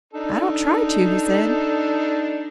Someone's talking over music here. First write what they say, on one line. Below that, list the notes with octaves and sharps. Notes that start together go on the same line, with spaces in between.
"I don't try to," he said.
D4 D#4 A4